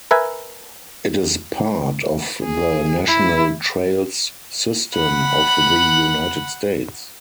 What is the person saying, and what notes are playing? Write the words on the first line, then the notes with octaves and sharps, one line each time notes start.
It is part of the National Trails System of the United States.
A#4 B4 E5 G#5
G#4
E4
F#5 B5